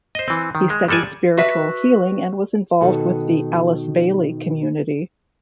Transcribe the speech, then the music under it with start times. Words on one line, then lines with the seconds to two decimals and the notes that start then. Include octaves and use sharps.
He studied spiritual healing, and was involved with the Alice Bailey community.
0.15 C5 D#5
0.28 E3 C4
0.55 D#3
0.70 G#3
0.88 G3 G#3 A4 D5 G#5
1.37 F#4 B4 E5
2.81 B2 D#3 F#4 A4